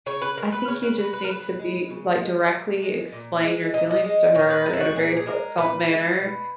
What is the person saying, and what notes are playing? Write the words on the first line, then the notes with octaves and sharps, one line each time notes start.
I think you just need to be like, directly explain your feelings to her in a very heartfelt manner,
C#3 C#5
B4
F#3 A#4
B4
C#3 C#5
B4
F#3 B4
B4
A#4
C#3 B4
G#3
C#3
G#3
A#2
G#3
A#2
G#3
A#2 D#5
D#5
G#3
A#2 C#5
B4
G#3 D#4
E4
F#4
A#2 G#4
G#4
G#3 A#4
A#2 B4
G#3
B2